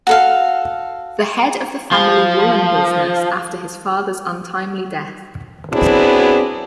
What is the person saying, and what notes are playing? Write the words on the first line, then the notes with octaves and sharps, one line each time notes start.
The head of the family woolen business after his father's untimely death.
F#4 A4 F5
F3
F#3 B3 C4 D4 E4 G#4